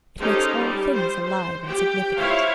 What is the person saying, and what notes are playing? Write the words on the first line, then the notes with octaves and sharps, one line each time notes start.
It makes all things alive and significant.
C#4 D#4 G4 A4 C5
G3 G4
C5
C5
G4 G5
E4 F4 C5 C#5 F5